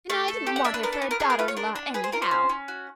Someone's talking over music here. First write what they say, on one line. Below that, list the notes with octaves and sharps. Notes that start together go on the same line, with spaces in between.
And I didn't want her for a daughter-in-law anyhow.
A3 F5
A4
G4
F#5
D4 E5
B4
B3 A#4
A4
B3
A#4
G#4 A4
A#4
F4 B4
C#5
D4 A#4
D4
G#4 B4
C5
F4 A#4
C5
C#4
C#4
F#4